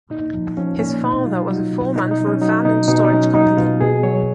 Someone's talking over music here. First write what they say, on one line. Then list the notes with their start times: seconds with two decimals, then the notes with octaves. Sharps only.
His father was a foreman for a van and storage company.
0.10 A#2 D#4
0.34 F3
0.57 F3 C#4
0.79 A#2 C#4
1.03 B2 D#4
1.26 F#3 F4
1.50 F#3 D#4
1.73 B2
1.95 B2 D#4
2.11 D#4
2.19 F#3
2.26 C#4
2.42 F#3 D#4
2.65 B2 D#4
2.88 B2 D#4
3.05 D#4
3.11 F#3 C#4
3.34 F#3 D#4
3.57 B2 F4
3.81 B2 G#4
4.03 F#3 C#5